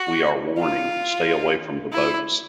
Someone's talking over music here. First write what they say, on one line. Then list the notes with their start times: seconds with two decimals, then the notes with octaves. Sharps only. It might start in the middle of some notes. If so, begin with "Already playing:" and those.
We are warning, stay away from the boats.
Already playing: F#4
0.59 F4
1.92 E4